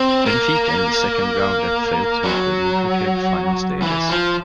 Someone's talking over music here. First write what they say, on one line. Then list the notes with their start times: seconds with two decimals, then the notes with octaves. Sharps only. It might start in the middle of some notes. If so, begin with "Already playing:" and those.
Benfica in the second round and failed to make the lucrative final stages.
Already playing: C4
0.26 A#3
2.24 F#3
3.82 E3
4.09 F3